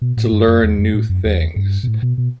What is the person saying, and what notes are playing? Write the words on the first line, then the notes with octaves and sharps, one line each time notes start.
to learn new things
B2
A2
G2
F#2
E2
F#2
A2
F#2
E2
G2
B2
A2
B2
B2